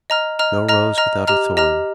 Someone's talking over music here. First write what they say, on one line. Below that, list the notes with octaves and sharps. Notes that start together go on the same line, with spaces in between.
No rose without a thorn.
D#5 A#5 F6
D#5 A#5 F6
D#5 A#5 F6
D#5 A#5 F6
G4 D#5 A#5 F6
G4 D#5 A#5 F6